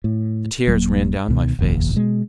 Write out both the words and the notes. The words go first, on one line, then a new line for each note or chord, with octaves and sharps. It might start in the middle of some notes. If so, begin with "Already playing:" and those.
The tears ran down my face.
A2
D#1 F#3 A#3
C#2 B2 D#3
F1 A#1 D#2
B2 G#3